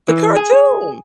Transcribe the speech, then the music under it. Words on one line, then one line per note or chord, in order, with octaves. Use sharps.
The cartoon.
E3
G#4